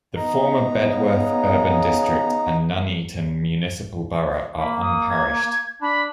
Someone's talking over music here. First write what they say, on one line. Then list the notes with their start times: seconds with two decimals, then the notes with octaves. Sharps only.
The former Bedworth Urban District and Nuneaton Municipal Borough are unparished.
0.17 B3 D#4 A#5
0.84 C#3
4.58 A#3 B5
4.81 D#6
5.10 G#6
5.82 D4 B5